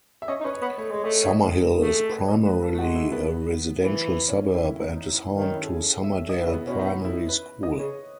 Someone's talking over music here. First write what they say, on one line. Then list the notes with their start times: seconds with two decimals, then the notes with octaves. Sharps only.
Summerhill is primarily a residential suburb and is home to Summerdale Primary School.
0.22 E5
0.28 C#4 D#5
0.41 D#4
0.45 C#4 B4
0.54 C#5
0.62 B3
0.78 A3 C#5
0.90 G#3 C#5
1.04 A3 D#5
1.24 C#5
1.28 D#5
1.78 A3
1.92 G#4
2.01 A4
2.10 B4
2.20 C#5
2.28 D#5
2.46 B4
2.62 A4
2.74 A3
2.79 G#3 F#4
2.96 E4
3.12 B3
3.79 E3
4.28 C#4
4.54 E4
4.80 D#4
4.96 D#4
5.13 E4
5.29 D#3
5.41 C#4
5.54 E4
5.61 A4
5.66 G#4
5.79 G#4
6.04 E5
6.29 D#5
6.41 C#3 E4
6.54 B3
6.62 B2 C#4
6.80 D#4
7.05 E4
7.29 B4
7.63 D#5
7.79 C#3 C#5